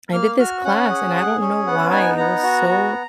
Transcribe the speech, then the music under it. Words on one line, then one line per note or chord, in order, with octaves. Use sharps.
I did this class, and I don't know why, it was so
A#3 F6
F#4 F6
C#4 F#5
G#4
G#4
C#4
B3 F#5
D#4 G#5
B3 A#5
F#4
B3